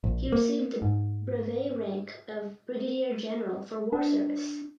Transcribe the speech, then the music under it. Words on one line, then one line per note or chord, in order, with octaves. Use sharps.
He received the brevet rank of brigadier general for war service.
A#1
A#3
G#2
D4